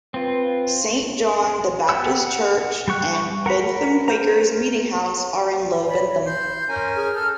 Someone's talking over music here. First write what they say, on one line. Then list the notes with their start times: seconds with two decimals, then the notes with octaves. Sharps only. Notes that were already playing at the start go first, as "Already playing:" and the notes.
Saint John the Baptist Church and Bentham Quakers Meeting House are in Low Bentham.
0.14 C4 F4 B4
1.89 B3 G4 F#5 E6
2.27 F#5
2.88 G3 G4 C#6 F#6
3.46 A#4 F#5 A#5 B5
4.08 A#4 C5 A#5
5.88 C#5 D5 B5
6.26 C6 G6
6.69 C#4 A#4 G#5
6.96 G#4 F6
7.15 A4 F6